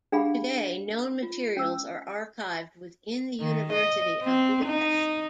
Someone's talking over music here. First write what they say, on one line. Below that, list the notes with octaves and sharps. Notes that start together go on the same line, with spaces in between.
Today, known materials are archived within the University of Budapest.
D4 G4 G#4 F5 F#5 B5
F4
C#4 E6
D#3
D#5
C4
D#4